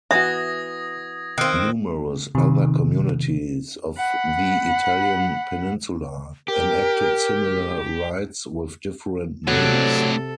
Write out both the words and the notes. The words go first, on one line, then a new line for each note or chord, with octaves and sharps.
Numerous other communities of the Italian peninsula enacted similar rites with different names.
E3 B3 F#4 E5 D#6 G#6 A#6
D#3 C4 E6 F#6
C3 D#3
F#5 B5
G4 A#4
A2 C3 F#3 D4 A4